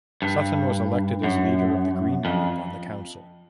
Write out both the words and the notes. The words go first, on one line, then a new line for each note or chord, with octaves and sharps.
Sutton was elected as leader of the green group on the council.
G2
F#2
F2